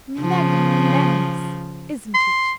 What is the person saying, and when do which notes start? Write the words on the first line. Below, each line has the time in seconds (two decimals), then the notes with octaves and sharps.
Magnanimous, isn't it?
0.20 C#3 F3
2.14 C6